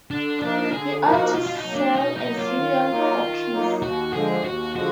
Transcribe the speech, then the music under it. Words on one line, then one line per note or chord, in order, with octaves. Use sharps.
He ought to sell a zillion copies.
D3 D4
F3 A#3 D4 D#4 A#4
D3 G#4
F3 A#3 D#4 A#4
F#4
B2 F4
F4
D#4
F#3
A#3
D4
B2 D#4
D#4
F#3 A#3
F4
D#3
F#3 A#3 D#4
D#3
F#3 A#3 D#4
D#2 F#4
D3 F3 G#3 G#4
D#2 F#4
D3 F3 G#3 F#4